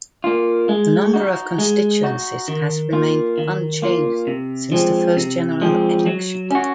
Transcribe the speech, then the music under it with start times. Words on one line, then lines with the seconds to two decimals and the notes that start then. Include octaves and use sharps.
The number of constituencies has remained unchanged since the first general election.
0.24 A#3 F4
0.69 G#3
1.14 D#4 F#4
1.58 G#3
2.03 D#4 F#4
2.48 D#3
2.93 A#3 F4
3.38 D#3
3.82 A#3 F4
4.27 C3
4.72 F3 G#3 C4
5.17 C3
5.61 F3 G#3 C4
6.07 F#3
6.51 C#4 F#4